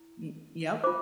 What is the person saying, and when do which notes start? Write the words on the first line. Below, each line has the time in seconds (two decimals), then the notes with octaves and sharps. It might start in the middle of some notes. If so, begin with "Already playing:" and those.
Y yep.
Already playing: E4
0.84 F4 C5 D6